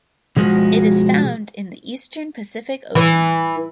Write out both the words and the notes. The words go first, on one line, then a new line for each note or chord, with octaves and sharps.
It is found in the eastern Pacific Ocean.
B2 F3 G#3 F#4
E3